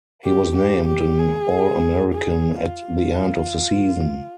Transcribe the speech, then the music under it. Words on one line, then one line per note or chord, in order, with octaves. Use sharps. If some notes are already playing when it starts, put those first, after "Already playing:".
He was named an All-American at the end of the season.
G4
G4
G4
G#4
G#4
F4